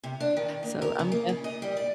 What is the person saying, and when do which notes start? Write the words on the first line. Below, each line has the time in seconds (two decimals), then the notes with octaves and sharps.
so I'm def
0.04 C3
0.20 D4
0.37 D#3
0.63 A#3
0.82 A#4
0.99 C#3
1.12 A#3
1.29 C#3
1.44 D#5
1.62 G3
1.77 D5